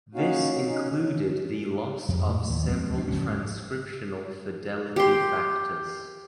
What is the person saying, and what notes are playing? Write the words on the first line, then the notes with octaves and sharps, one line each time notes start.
This included the loss of several transcriptional fidelity factors.
A#3 C#4 D#4 F#4 F5
C#4 D#4
F2
A2
D#2
D#2 F3 G#3 C4
F3 D4
F#1 G#2 F3 C#4
G4 C6